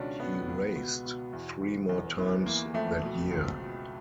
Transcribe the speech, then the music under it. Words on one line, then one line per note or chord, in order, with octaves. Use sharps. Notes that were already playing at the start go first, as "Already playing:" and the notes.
He raced three more times that year.
Already playing: C#2 B2 D#3 C#4 D4
B2 B3
C#2
B2
B2
E2
E2
E2
E3 B3
E3 A#3
F2 A3
B2
C#2
B2